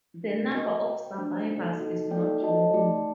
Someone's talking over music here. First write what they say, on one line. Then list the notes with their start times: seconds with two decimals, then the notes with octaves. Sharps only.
The number of survivors is not known.
0.23 A3 D4 F#4 A#4
0.54 F#4 A#4 D#5
0.85 F#4 C5 G5
1.17 A3 D4 F#4 C5
1.48 A#3 D#4 F#4 A4
1.80 D#4 F#4 A4
2.10 A#3 D#4 A4 D5 G5
2.42 F#4 A4 D#5 A5
2.73 A3 D#4 G4 D5 A5